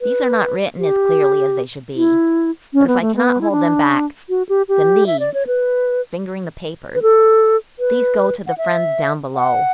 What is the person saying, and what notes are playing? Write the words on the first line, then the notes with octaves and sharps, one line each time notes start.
"These are not written as clearly as they should be; but if I cannot hold them back, then these"--fingering the papers--"these go to the friends down below!"
B4
G4
E4
C#4
B3
A3
B3
E4
D4
F#4
G4
G4
E5
D5
C#5
B4
B4
A4
B4
F#5
E5
F#5